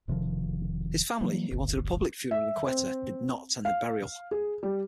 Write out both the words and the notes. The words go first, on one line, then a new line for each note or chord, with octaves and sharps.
His family, who wanted a public funeral in Quetta, did not attend the burial.
E1 C3 D#3 F3
E3 F#3 G3 A#3
D1 G1 D2
E5
C4
F5
G#4
G3